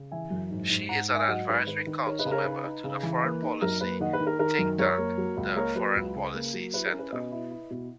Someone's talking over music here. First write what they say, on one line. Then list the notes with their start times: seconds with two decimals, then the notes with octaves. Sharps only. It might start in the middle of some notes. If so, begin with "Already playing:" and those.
She is an advisory council member of the foreign-policy think-tank, the Foreign Policy Centre.
Already playing: C#3
0.12 E3 E5 G#5
0.30 F#2
0.51 G#2
0.69 G#2
0.89 G#2 F#5 A#5
1.08 G#2
1.15 E5 G#5
1.28 F#3 D#5 F#5
1.48 G#2 B4
1.67 D#3 B4
1.87 D#3
2.06 D#4 A#4 C#5
2.19 B4 D#5
2.25 C#3
2.32 A#4 C#5
2.44 D#4 B4
2.64 D#4
2.84 C#3
3.03 E3
3.23 A#3 B4
3.43 D#4
3.62 F#2 A#4
3.81 A#3 B4
4.00 D#3 D#5 F#5
4.13 B4
4.20 D#3
4.27 A#4
4.39 D#3 A#4
4.59 F#2
4.78 F#2 A#4 C#5
4.98 A#3
5.18 F#3
5.37 C#2
5.56 A#3 A#4 C#5
5.75 F#3 B4
5.95 C#2
6.15 C#3
6.34 A#3
6.54 F#3
6.73 E4 B4
6.86 A#4
6.93 C#4
6.99 B4
7.12 B2 B4 D#5
7.32 E4
7.51 E4
7.70 B2